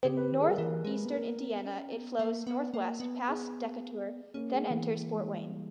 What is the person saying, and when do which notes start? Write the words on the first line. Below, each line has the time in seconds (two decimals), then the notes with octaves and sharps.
In northeastern Indiana it flows northwest past Decatur, then enters Fort Wayne.
0.05 C#3 G4
0.17 B4
0.32 D#3
0.40 G#4
0.44 A#4
0.49 G3
0.58 E3 A#4
0.85 G#3
1.05 B3
1.12 A#3 A#4
1.39 B3
1.66 C#4
1.93 B3
2.19 A#3
2.47 B3
2.74 A#3
3.00 B3
3.28 G#4
4.34 A#3 C#4
4.52 G#3
4.62 B3
4.70 E3
4.89 A#3
5.15 G#3
5.42 G3